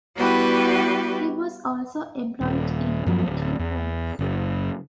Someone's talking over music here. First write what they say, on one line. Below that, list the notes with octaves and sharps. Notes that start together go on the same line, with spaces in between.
He was also employed in writing plays.
G3 B3 E4 F#4 G4 B4
D#1
F#2 F3 F#3
D1
E2
F#1